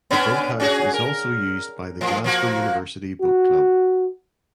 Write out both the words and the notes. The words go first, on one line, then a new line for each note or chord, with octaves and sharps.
The boathouse is also used by the Glasgow University Boat Club.
B3 C#4 D4
C#4 F#4 G#4
A#4
A2 F3
F3 A#3 F#4
F#4